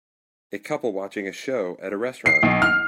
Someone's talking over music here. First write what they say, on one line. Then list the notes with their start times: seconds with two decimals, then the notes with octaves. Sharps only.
A couple watching a show at a restaurant.
2.26 C7
2.43 B1
2.62 F6